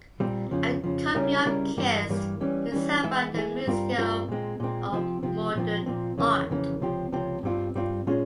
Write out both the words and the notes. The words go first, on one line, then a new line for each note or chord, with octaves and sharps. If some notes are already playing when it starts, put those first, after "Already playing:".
A copy of "Kissed" is held by the Museum Of Modern Art.
A#2 G3 C4
F2 C#3 F3
F2 C#3 F3
C#3 G3 C#4 E4 A#4
C#3 G3 C#4 E4 A#4
G2 E3 G3 A#3
G2 E3 G3 A#3
E3 G3 C#4
E3 G3 C#4
E3 G#3 E4 G#4
E3 G#3 E4 G#4
G2 G3 C4 F4 A#4
G2 G3 C4 F4 A#4
A#2 G#3 C4
A#2 G#3 C4
C3 F3 C4
C3 F3 C4
A#2 F3 C4
A#2 F3 C4
F2 C#3 E3 A#3
F2 C#3 E3 A#3
C#2 C3 F3 C4 G4
C#2 C3 F3 C4 G4
G2 G3 C4 F4
G2 G3 C4 F4
A#2 G#3 C#4 F4 G#4